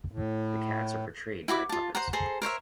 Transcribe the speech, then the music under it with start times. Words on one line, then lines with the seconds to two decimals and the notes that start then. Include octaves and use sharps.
The cats are portrayed by puppets.
0.12 A2
1.48 E4 F#4 B5 D6
1.69 F4 A5
1.95 C5 F#5 A#5
2.13 G#4 A4 C5 A#5
2.42 A#4 C5 C#5 E5